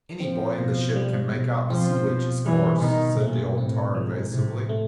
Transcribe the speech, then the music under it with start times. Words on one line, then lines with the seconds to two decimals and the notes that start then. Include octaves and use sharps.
"Any boy in the ship can make out the 'Sea Witch's' course," said the old tar, evasively.
0.20 F3 C4
0.58 B2
0.96 G3
1.33 B2
1.70 F3 C4
2.07 B2
2.45 E3 G3
2.82 B2 D#3
3.20 A#2 A3
3.57 A2 C4
3.94 G#2 F3
4.32 A2 C3
4.69 A3